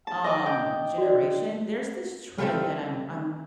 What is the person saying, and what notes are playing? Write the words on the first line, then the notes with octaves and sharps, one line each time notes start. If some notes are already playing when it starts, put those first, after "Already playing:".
um, generation, there's this trend that I'm I'm
A5
D#5 D6
G5
F#4 D5
G3 A3 C4 G4 A4 E5